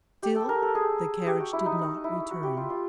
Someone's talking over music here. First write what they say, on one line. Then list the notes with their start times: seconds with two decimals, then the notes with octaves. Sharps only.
Still, the carriage did not return.
0.23 G4
0.36 A4
0.49 A#4
0.62 A4
0.75 G#4
1.27 G4
1.40 F#4
1.53 E4
1.66 D#4
1.79 D#4
2.04 E4
2.31 F#4
2.43 G4
2.57 F4
2.70 F4